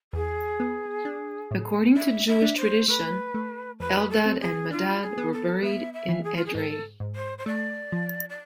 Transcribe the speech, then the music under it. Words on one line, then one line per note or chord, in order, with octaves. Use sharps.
According to Jewish tradition, Eldad and Medad were buried in Edrei.
E2 G#4
B3
D4
A2
D4 E5
E5
D4
C5
A3 B4
A3
F2 B4
A4
C4
G#4
D4 F4
G#4
B3
A4
B3 E5
E5
E3
G#4
F4
G#4
G#2 A4
G#2
C5
C5
A3 D5
F3
D5